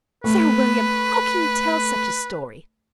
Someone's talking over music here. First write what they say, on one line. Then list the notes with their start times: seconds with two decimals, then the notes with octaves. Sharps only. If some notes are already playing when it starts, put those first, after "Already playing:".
Sir William, how can you tell such a story?
0.24 A3 B4